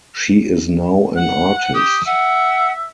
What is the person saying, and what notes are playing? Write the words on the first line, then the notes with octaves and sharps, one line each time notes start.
She is now an artist.
F#5
G4 D#6
E5 F#5